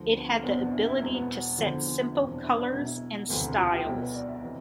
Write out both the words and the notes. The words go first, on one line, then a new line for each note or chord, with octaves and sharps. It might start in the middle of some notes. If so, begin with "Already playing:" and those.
It had the ability to set simple colours and styles.
Already playing: D2 D3 F3
B3
A3
E2 B2 C4
B3
D4
E4
E4
E1 E2 B2 C4
B3
E2 D3 F3
C4
E4
E1 E2 C3 E3
C4
D4
E4
D4
B1 B2 B3
E4
E1 D2 C3 E3
F4
G4
B1 B2 E4
B4
D5
E5
C3 E3